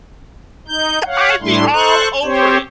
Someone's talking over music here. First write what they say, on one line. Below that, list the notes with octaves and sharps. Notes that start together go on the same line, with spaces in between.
I'd be all over it.
D#4 G6
C#5 F5 F#5
A2 G3 A3 D4 E4 C6
A4 C5 C#6 F#6
C4 G4 C5 C#5